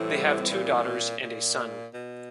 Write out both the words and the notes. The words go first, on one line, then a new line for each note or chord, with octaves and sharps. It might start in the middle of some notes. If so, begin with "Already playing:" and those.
They have two daughters and a son.
Already playing: A2 E3 G3 C4 E4
A#2
A#2
B2